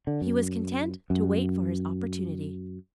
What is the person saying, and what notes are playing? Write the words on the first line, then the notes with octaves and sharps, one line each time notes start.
He was content to wait for his opportunity.
D3
F#2
F#2